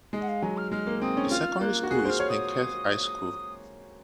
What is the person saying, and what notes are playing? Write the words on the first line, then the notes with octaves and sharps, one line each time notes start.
The secondary school is Penketh High School.
G#3 D#5
F#5
F5
F#3 G#5
F6
G#3 F6
A#3
C4 D#6
C#4
F4 F6
A#3 F#6
F#4
G#4 F#6
C5 F6
C#5
D#6